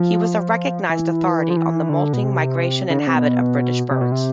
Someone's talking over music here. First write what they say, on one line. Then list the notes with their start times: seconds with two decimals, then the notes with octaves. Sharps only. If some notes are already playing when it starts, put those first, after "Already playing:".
He was a recognised authority on the moulting, migration, and habit of British birds.
Already playing: F3
0.89 E3
1.50 F3
1.57 E3
1.89 D3
2.13 B2
2.23 C3
2.90 C#3
2.99 D3
3.07 C3
3.15 B2
3.91 C3
4.01 B2
4.12 C3